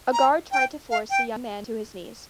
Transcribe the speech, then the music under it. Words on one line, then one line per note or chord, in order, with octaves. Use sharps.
A guard tried to force the young man to his knees.
A#5
G5
F5
G5